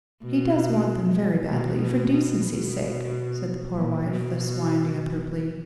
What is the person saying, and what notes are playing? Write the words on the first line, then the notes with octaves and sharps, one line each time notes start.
"He does want them very badly--for decency's sake," said the poor wife, thus winding up her plea.
B2
B2
B2
B2
A#2
B2
B2